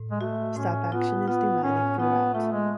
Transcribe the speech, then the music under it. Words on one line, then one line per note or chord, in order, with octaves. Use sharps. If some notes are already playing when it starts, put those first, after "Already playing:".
Stopaction is pneumatic throughout.
Already playing: A2
G#3
A3 F#4
A2 C#4
B3 F4
B3 F4
A2 C#4
B3 F4
A3 F4
G#3